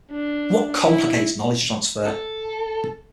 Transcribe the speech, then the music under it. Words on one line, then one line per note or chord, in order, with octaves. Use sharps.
What complicates knowledge transfer?
D4
E4
A4